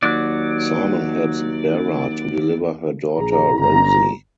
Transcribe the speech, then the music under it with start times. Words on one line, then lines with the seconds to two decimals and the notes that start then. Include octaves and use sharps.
Simon helps Bera to deliver her daughter Rosie.
0.03 D#2 F#3 D5
3.16 A#1 G#4 A#5
3.58 G1 A#5